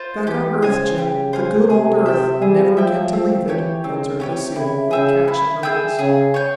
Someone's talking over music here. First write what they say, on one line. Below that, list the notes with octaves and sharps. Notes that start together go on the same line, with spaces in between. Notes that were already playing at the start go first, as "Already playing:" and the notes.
"Back on earth, Jim, the good old earth, never again to leave it," answered Lucille, with a catch in her voice.
Already playing: F4 C5
E3 G4
C#3 C5 F5 G#5
G4
C5 F5 G#5
C3 G#4
E5 G5
G3 G#4
F3 E5 G5
F3 C4
E3 G4 C#5 G5
C#3 C4
C3 G4 C#5 G5
C#3 E4
C#3 G#4 E5 G5
E4
G#4 E5 G5
C#3 G#4
C#5 G5